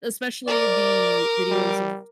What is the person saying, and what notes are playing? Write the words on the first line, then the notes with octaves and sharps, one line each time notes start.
especially the videos of
A#4 D5 D6
G3